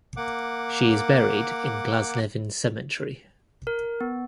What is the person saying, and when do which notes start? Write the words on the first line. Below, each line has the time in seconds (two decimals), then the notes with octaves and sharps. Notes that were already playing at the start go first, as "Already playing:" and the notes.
She is buried in Glasnevin Cemetery.
0.17 A#3 F#5 D6
3.67 A#4
4.01 B3